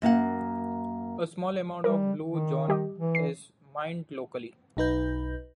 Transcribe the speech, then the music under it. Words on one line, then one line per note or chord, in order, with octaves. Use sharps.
A small amount of Blue John is mined locally.
F#2 A#3 F5 F#5
G3 A#4
D#3
G3 G4 D#5
E3
C7
B1 D#4 B4 G6